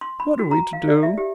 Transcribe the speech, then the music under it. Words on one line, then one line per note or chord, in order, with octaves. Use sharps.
"What are we to do?"
C6
B5
F#4
A#5
F5
D5
E5
G4